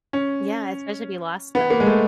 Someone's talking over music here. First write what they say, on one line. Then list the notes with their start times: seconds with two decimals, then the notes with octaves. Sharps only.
Yeah, especially if you lost them.
0.13 C#4
1.55 B3
1.70 A#3
1.80 G#3
1.86 A3